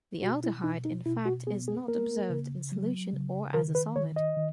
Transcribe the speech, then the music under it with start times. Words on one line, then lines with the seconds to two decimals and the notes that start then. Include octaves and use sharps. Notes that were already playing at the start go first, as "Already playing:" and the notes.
The aldehyde in fact is not observed in solution or as a solid.
0.22 B2 F#4
0.44 E4
0.64 B2 D#4
0.85 D#4
1.05 B2 E4
1.26 F#4
1.47 B3 G#4
1.68 G#4
1.88 A#3 A#4
2.30 C#3
2.72 F#3
3.12 C#3
3.54 D#3 A#4
3.75 B4
3.96 D#3 C#5
4.16 D#5
4.37 D#3